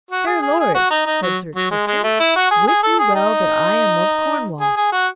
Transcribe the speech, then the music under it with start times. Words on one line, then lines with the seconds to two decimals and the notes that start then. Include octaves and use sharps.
Fair lords, said Sir Tristram, wit ye well that I am of Cornwall.
0.11 F#4
0.27 G#4
0.42 G#4
0.60 G#4
0.75 F#4
0.91 D#4
1.06 D#4
1.23 F#3
1.55 F#3
1.71 G#3
1.87 G#3
2.04 A3
2.20 E4
2.36 F#4
2.51 G#4
2.67 G#4
2.83 A4
2.99 G#4
3.15 D#4
4.61 G#4
4.77 G#4
4.92 F#4